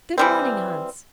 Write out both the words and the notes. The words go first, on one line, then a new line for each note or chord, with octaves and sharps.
'Good morning, Hans.
E3 G3 C4